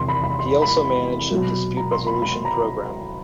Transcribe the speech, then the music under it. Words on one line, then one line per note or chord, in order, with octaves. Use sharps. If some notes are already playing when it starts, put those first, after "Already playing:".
He also managed a dispute resolution program.
Already playing: E2 C3 D#3 C6
B5
B5
C6
B5
B2 F#3
A#5
C6
B5
B5
A#5